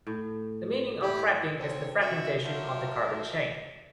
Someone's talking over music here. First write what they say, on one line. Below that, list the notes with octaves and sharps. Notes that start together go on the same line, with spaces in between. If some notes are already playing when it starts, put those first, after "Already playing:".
The meaning of cracking is the fragmentation of the carbon chain.
A2
E4 G4
D2 C4 F#4 C5 C#5
C#3 F#4 E5
F3 F#3 F4 A#4 E5